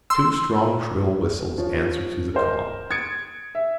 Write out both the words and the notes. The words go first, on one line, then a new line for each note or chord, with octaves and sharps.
Two strong shrill whistles answered through the calm.
C6 E6
F3 C#4
A#4 C5 D#5
D#6 G#6 A6 C#7 D7
E5